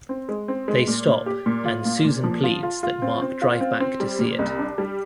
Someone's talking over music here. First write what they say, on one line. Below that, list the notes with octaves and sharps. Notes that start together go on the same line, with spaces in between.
They stop, and Susan pleads that Mark drive back to see it.
C4
G#3
C4
G#3
A#2
A#2
G4
A#2
F4
A#2
A#2
F3
F4
F4
F4
C4
C4
F4
C4
C4
G3
A#2
C2
D4
G3